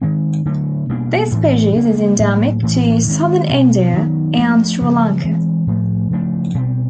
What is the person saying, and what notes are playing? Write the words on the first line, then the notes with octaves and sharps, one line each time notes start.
This species is endemic to southern India and Sri Lanka.
D#3 G#3 C4
D3 F#3 A3
B2 G3 A#3 D4
A2 E3 A3 D4
C#3 F#3 A#3 D4
A2 F#3 A#3
A2 E3 A3
D#3 G#3 C4
B2 G3 C4
D#3 F#3 B3
F3 A3 D4
C#3 F3 G#3 B3
E3 G#3 C4
A2 F3 A3
C#3 F3 A3 D4
B2 G3 C4